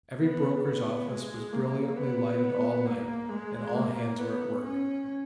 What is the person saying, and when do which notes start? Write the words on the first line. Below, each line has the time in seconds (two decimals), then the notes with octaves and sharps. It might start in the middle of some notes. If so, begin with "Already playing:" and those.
Every broker's office was brilliantly lighted all night, and all hands were at work.
0.20 B3
0.64 B3
1.09 G#3
1.52 A#3
1.97 B3
2.86 A#3
3.29 G#3
3.74 A#3
4.19 B3
4.63 C#4